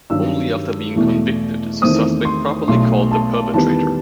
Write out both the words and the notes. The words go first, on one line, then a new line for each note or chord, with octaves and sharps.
Only after being convicted is the suspect properly called the perpetrator.
G2 D#3 F#3 E6
E2 B2 A3
E2 D#3 A3 C4 D#6
C6
B1 B2 A3 C6
A5
E2 D#3 G3 B3 A5